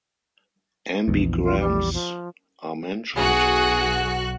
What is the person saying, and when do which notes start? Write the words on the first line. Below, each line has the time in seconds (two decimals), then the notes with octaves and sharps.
Ambigrams are mentioned.
1.08 A#1 E2
1.44 F4
1.60 G3
1.94 F3
3.16 B1 F#4 G#4 F#6